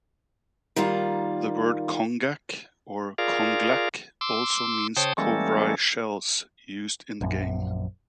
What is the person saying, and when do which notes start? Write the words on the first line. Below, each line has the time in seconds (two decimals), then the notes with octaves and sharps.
The word "congkak" or "congklak" also means cowrie shells, used in the game.
0.76 D#3 G3 A#3 F4
3.18 F4 G#4 A#4 D5 F5
4.21 C6 D6 E6
4.96 C#3 C5 C#5 G5 A5 D#6
5.18 E3 G3 G#3 A#3 C#4 A4
7.21 A#1 F#2